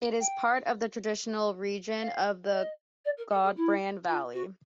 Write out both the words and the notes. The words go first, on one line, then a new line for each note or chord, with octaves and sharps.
It is part of the traditional region of the Gudbrand Valley.
G5
F5
D#5
D5
A#4
A4
G#4
E4
F4
F#4